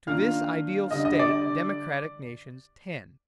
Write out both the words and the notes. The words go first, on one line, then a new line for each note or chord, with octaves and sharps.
To this ideal state democratic nations tend.
D#3 A#3 D4 F4 F5 F6
D3 G3 D4 D#5 D#6
D#5 D#6
D5 D6